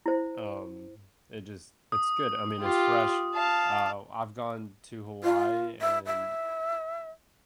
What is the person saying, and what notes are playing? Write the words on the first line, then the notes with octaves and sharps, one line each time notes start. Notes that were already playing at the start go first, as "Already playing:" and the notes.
um, it just it's good, I mean, it's fresh, uh, I've gone to Hawaii, and
E4 C5
D#6
F4 G4
F5 A5
F4
E5
E5